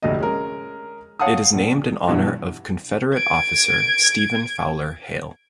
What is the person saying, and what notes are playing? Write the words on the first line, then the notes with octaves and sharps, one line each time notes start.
It is named in honor of Confederate officer Stephen Fowler Hale.
F1 D2 A4 D#5
G#3 C#4 A#4
C#5 F5 F#5 A5 D#6
A#1
G2 B2 E3 F#3
G#6 D7